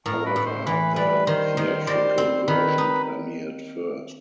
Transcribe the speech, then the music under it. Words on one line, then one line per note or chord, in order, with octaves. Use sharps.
However, the theatrical version premiered first.
A2 A#4
B4
A2
C5
E3 B4
G3 B4
D#3 C5
D#3
G3 C5
C4
D#3 B4
D#4